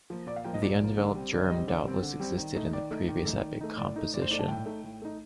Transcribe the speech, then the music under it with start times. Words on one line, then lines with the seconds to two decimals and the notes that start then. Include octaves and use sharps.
The undeveloped germ doubtless existed in the previous epic composition.
0.10 F3 A#3
0.27 A#2 D5
0.36 F5
0.44 F3 A#3 G5
0.54 D#5
0.62 A#2 D5
0.80 F3 A#3
0.97 D3
1.15 G3 C4
1.33 D3 D5
1.50 G3 C4 D#5
1.67 D3 D5
1.85 G3 C4
2.02 D3
2.20 G3 C4
2.37 D#3
2.55 A3 D#4
2.73 D#3 D5
2.91 A3 D#4
3.09 D#3
3.25 A3 D#4
3.43 D#3
3.61 A3 D#4
3.78 A2 D5
3.96 A3 D#4
4.14 A2 D5
4.22 C5
4.30 A3 D#4 D5
4.39 A5
4.48 A2 G5
4.66 A3 D#4
4.84 A2
5.02 A3 D#4